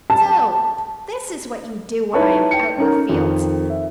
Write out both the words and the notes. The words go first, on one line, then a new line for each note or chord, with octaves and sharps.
'So this is what you do when I am out in the fields!
A5
D#4 E4 B4 C#5 A5 C#6
G5 C#7
C#4 D#4 A#4
F2 D#3
E5